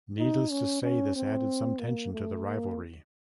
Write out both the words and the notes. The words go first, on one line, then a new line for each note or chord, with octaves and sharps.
Needless to say, this added some tension to the rivalry.
D#4
C#4
C#4
C4
A#3
A3
A#3